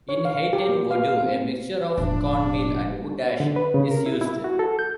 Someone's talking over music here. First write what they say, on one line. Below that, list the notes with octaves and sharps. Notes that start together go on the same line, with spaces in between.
In Haitian Vodou, a mixture of cornmeal and wood ash is used.
C#5
F5
F5
G4
A#3
F5
F5
C4
E1 A2 F3 D4
D3
B4
C#3
A#4
E4
E4
F#4
A4
G6